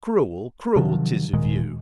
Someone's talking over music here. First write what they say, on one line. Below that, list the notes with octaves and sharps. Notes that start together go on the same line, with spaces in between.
"Cruel, cruel, 'tis of you!"
C3 D#3 F3 F#3
D#1 A#2 D#3 G#3